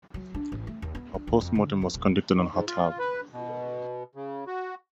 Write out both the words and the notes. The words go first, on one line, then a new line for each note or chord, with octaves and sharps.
A post-mortem was conducted on Hatab.
F#3
D4
A1
A3
D#2
B3
D4
D2
F2
D3
F3
D#1
D#3
G#2
F4
B4
B2
C#3
F#4